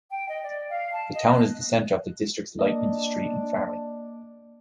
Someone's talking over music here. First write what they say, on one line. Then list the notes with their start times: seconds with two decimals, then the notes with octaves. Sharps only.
The town is the centre of the district's light industry and farming.
0.10 G5
0.29 D#5
0.42 D5
0.69 F5
0.92 A5
1.14 D#5
1.30 F#6
2.59 A#3 D4 D#5